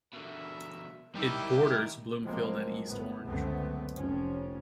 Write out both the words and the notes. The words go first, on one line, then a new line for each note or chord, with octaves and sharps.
It borders Bloomfield and East Orange.
B2 D3 A#4 E5
D#3 G3 E4 G4 E5
F3 F#3 G#3 A#3 C4
G1 A2 B3
C#2 F#2 D3 A3 B3 C4
F1 F3 C4 C#4